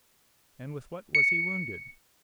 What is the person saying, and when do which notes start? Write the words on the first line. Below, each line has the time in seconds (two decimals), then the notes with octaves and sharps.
"And with what was he wounded?"
1.15 C#7